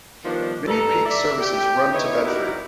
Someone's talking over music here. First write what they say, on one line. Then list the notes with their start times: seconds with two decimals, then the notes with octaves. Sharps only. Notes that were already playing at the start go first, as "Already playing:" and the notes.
Many peak services run to Bedford.
0.23 D#3 F3 G3 B3 D4
0.67 G2 A4 A#5
1.06 D5 E5
1.41 G4 G5
1.92 B3 D#4 E4 C#5
2.24 D#4 E4 F#4 G4 A#4 D5